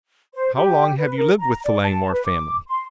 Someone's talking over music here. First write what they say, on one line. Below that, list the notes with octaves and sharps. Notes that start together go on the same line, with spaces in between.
"How long have you lived with the Langmore family?"
C5
G4
B4
A#4
A#5
D5
A5
B4
D6
C6